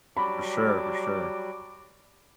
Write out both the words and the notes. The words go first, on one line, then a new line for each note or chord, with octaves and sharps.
For sure, for sure.
F#3 G3 F#4 A5 B5 D6